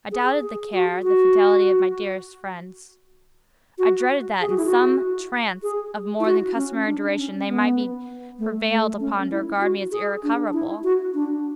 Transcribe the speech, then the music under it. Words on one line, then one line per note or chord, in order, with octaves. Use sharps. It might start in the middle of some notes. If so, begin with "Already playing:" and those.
I doubted the care, the fidelity of my dearest friends. I dreaded that, in some trance of more than customary duration, they might be prevailed upon to regard me as irrecoverable.
G#4
G#4
F#4
F#4
F#4
G#4
F#4
E4
F#4
G#4
E4
F#4
C#4
D4
C#4
B3
A3
A3
C#4
E4
F#4
G#4
D4
E4
F#4
D4